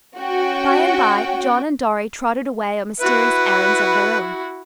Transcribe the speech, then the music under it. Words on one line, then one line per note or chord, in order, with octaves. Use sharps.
By and by John and Dorry trotted away on mysterious errands of their own.
C#4 F#4 G5
E4 F#4 B4